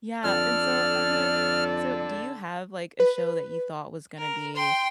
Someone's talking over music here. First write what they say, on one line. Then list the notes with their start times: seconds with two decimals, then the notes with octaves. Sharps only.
Yeah and so, I'm like so, do you have, like, a show that you thought was gonna be
0.24 F2 D3 D5 A5 E6 F6
3.00 B4
4.18 A#4
4.56 G5 C6